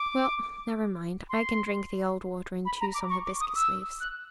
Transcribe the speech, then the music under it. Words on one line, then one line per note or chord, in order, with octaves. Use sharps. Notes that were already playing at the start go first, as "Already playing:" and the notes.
"Well, never mind, I can drink the old water and chew some hibiscus leaves."
Already playing: D6
C6
B5
A#5
D6
C#6
D6
D#6
E6
F#6